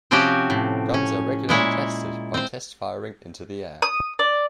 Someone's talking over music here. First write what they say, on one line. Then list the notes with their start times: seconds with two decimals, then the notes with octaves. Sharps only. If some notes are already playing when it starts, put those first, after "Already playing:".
Guns are regularly tested by test-firing into the air.
0.11 C3 F3 C4 C#4 F#4 G4
0.50 A2
0.94 C#4
1.49 A#2 G#3 E4 C#5
2.34 C4 C5
3.82 D#6
4.19 D5